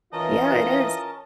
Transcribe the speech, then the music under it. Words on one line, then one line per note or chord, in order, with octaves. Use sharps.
Yeah, it is.
E3 C#4 F4 A#4 D#5 A5